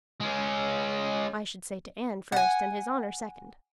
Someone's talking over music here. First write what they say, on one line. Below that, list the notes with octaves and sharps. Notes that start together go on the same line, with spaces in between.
I should say to Ann first and His Honor second.
G#3 C#4
F#5 G#5